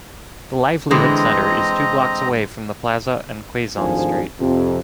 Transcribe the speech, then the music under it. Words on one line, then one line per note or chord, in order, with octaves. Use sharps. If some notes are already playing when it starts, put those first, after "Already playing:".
The Livelihood Center is two blocks away from the Plaza and Quezon Street.
D3 E3 G#3 C4 D#5 A#5
G#1 D2 G#2 D3 F3 G#5
F2 C3